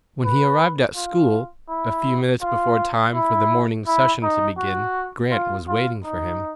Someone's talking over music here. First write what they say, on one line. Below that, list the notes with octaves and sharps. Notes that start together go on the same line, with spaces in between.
When he arrived at school, a few minutes before time for the morning session to begin, Grant was waiting for him.
B4
F4
E4
F4
E4
E4
D#4
F#4
F4
F4
D#4